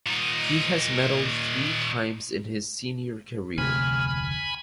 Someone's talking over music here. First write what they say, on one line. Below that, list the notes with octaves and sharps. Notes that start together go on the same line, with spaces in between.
He has medalled three times in his senior career.
A#2 D#4
F1 D2 C3 A3 G#5 B5 F6